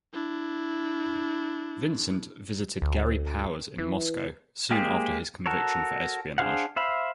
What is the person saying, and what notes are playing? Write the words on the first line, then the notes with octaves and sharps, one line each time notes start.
Vincent visited Gary Powers in Moscow soon after his conviction for espionage.
D4 E4
D2
E3
G#3 A#3 G4 G#4 C5
F#4 A4 A#4 C#5
D4 G#4 C5 F5 F#5
C5 E5 F5 B5